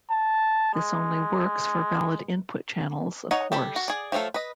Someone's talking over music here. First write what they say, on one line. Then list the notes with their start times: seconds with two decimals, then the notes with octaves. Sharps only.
This only works for valid input channels, of course.
0.10 A5
0.74 G#3
3.31 D#4 C#5 D#5 F#5
3.52 G3 A4 B5
3.76 F#4
3.88 G#4 D5
4.12 F3 F#3 A3 F4 A4
4.34 B4 D#5